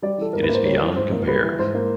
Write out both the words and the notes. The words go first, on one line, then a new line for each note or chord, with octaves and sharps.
It is beyond compare.
G3 D5
E3 A4
G#2 A#4
B4
A#3
C5
G3 C#5
E3
G#2 C5
A#3
A#4
G3 B4
E3
G#2 C5
A#3